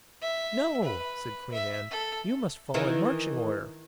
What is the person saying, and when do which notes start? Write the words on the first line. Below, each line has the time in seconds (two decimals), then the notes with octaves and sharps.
"No," said Queen Ann, "you must fall in marching order."
0.21 E5
0.84 B4
1.52 E5
1.91 A4
2.74 D#3 E3